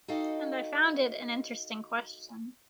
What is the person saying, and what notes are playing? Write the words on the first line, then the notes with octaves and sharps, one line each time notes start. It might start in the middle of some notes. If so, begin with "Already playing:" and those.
And I found it an interesting question.
D#4 F#4 A4 D#5 F5 G5